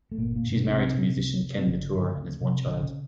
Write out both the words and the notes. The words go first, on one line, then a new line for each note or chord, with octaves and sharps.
She's married to musician Ken LaTour and has one child.
A3
G1 A#2 A#3
A#2 A#3
G2 D3
B2 B3
B1 C3 C4
A#2
C#2
C3
C4
G1 C#3 C#4
G2 D3
D2
C3
A#1 D3 D4
C#3 C#4